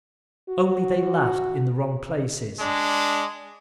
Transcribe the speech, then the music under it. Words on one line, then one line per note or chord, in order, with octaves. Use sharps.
Only they laughed in the wrong places.
F#4
G#3 D4